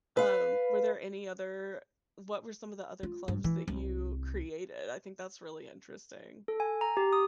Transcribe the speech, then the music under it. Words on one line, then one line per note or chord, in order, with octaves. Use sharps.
Um, were there any other what were some of the other clubs that you created? I think that's really interesting.
B4 F5
F4
G2
E3
C2
A4
G#5
A#5
G4
D#6